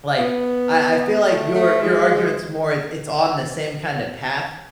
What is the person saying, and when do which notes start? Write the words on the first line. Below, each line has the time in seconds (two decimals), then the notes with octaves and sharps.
Like, I I feel like your your argument's more it it's on the same kinda path,
0.18 B3
1.26 A3
1.54 A3
1.82 G#3